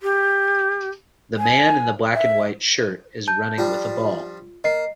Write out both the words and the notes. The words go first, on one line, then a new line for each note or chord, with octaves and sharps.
The man in the black and white shirt is running with a ball.
G4
G#5
E5
A5 G6
F3 G3 D4 F4
A#3 D#5 C7